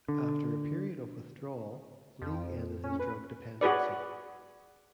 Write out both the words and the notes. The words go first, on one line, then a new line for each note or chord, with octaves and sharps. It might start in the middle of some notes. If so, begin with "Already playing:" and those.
After a period of withdrawal, Lee ended his drug dependency.
D3
F2
C#4
B4
F#4 G#4 B4 D5